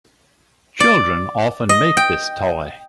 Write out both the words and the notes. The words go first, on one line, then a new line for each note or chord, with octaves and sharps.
Children often make this toy.
D5
D#5
G5